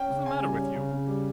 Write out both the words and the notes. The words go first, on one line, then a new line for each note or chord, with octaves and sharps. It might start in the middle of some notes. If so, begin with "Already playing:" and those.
What's the matter with you?
Already playing: C#4 G5
C#3
C#3 G#5
G3
C#4
C#3
C#3
G3